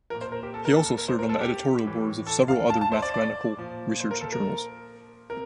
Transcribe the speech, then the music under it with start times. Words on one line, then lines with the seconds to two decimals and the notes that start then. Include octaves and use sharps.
He also served on the editorial boards of several other mathematical research journals.
0.10 A#2 F3 A#4
0.21 C5
0.32 A#4
0.43 G4
0.54 A4
0.65 A#4
0.76 A4
0.86 A4
0.98 A#4
1.08 C5
1.19 A#4
1.29 A4
1.41 G4
1.84 A2 E3
2.27 A4
2.48 F5
2.70 A5
2.81 A5
2.92 C5
3.02 D5
3.14 D5
3.57 A#2 F3
4.01 C5
4.11 A#4
4.21 A4
4.32 A#4
5.30 C3 A#4